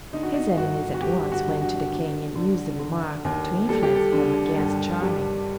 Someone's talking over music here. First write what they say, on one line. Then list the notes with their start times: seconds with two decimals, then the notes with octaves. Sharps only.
His enemies at once went to the King and used the remark to influence him against Charming.
0.13 D3 D#4
0.23 F#4
0.34 D#4
0.57 G1 F#4
0.94 F#4
1.01 G1 G4
1.32 F#4
1.46 D3
1.61 F#4
1.91 D3
2.36 D3
2.79 D3
3.25 D#2
3.69 G3 A4
3.83 G4
3.95 A4
4.13 D3
4.57 G2
5.02 G3